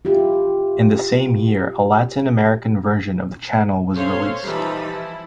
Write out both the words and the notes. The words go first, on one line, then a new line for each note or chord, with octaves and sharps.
In the same year a Latin American version of the channel was released.
E4 F4 G4
C#4 A4 C5 C#5 F5 C6
E3 F3 G3 D#4 A5 B5
E4